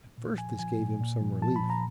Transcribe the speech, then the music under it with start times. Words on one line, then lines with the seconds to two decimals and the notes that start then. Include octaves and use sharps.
At first this gave him some relief.
0.18 A#2
0.38 F3 G#5
0.59 F3 G#5
0.80 A#2
1.00 A#2
1.21 F3
1.42 F3 A5
1.56 B5
1.63 A#2
1.70 A#5